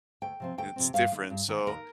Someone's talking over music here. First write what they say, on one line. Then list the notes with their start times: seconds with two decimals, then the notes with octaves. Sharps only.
It's different, so
0.22 D2 G5
0.40 C3 F3 C4
0.58 D2 G5
0.76 C3 F3 C4
0.94 G2 F5
1.12 D#3 A#3
1.30 G2
1.48 D#3 A#3
1.67 D#2 A#4